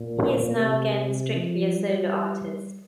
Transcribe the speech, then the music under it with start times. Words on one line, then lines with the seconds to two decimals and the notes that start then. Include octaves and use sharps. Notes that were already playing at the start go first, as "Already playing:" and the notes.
He is now again strictly a solo artist.
Already playing: A#2
0.56 C3
1.36 F3
1.77 G3